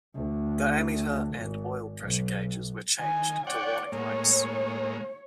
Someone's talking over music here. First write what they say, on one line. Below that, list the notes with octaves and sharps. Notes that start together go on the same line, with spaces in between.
The ammeter and oil pressure gauges were changed to warning lights.
D2
G#1
B1
D#3 G#5
C#5 D5 F#5 G5
A2 G#3 A#3 C#5